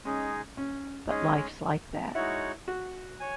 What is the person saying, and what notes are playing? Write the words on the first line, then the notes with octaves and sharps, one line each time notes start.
But life's like that.
G#3 C#4 D#4 G#4
C#4
G#3 C#4 D#4 G#4
G#3 D#4 E4 F#4 C#5 F#5
F#4
C#5 G#5